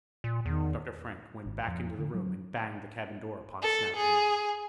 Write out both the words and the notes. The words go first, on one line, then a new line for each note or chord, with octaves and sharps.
Dr. Frank went back into the room and banged the cabin door upon Snap and me.
A#2
E2 D#3
G#1
F2
D3
F#3
A4
G#4